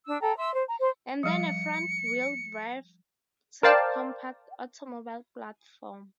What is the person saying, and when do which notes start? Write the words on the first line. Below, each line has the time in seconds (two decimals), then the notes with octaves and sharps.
And then a front-wheel drive subcompact automobile platform.
0.05 D4 E6
0.20 A4 G5 A#5
0.37 E5 C6 E6
0.52 C5
0.66 A#5
0.80 C5 C6
1.23 F3 G3 C#7
3.63 A#4 C5 D5 F5 G5 A5